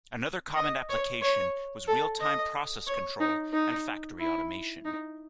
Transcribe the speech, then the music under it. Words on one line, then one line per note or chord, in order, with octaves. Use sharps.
Another common application was real-time process control and factory automation.
D#5
C#5
C#5
A4
D#5
C#5
D#4
D#4
E4
D#4